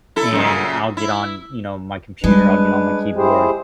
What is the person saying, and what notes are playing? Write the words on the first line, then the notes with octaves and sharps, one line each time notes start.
and I'll get on, you know, my computer, I'll get on my keyboard
E4 A4
F#2 A#2 C#3
E4
G3 G#3 D4 B4
E4 G4 G#4 C5